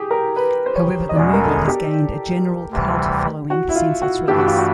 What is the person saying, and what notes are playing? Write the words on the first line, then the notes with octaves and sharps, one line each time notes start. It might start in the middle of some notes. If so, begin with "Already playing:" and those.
However, the movie has gained a general Cult following since its release.
Already playing: G4 G#4
A#4
B4
C5
C#5
D#5
E2 B2 G#3 C#4 D5
A#4
A4
G4
D2 C3 E3 G3
F#4
E4
F4
F#4
G2 E3 A3 D4 G4
F#4
F4
F#4